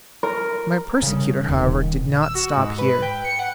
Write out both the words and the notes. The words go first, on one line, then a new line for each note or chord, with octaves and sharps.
My persecutor, however, did not stop here.
A#4
C#3 G3
D#1 D#3
E6
F#4
G#2
B4
G5
C#7
F#5